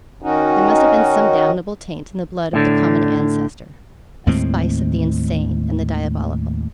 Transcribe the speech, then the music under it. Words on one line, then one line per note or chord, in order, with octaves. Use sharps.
There must have been some damnable taint in the blood of the common ancestor--a spice of the insane and the diabolical.
D#3 C#4 D#4 F#4
A2 D3
D#2 A2 G#3 C4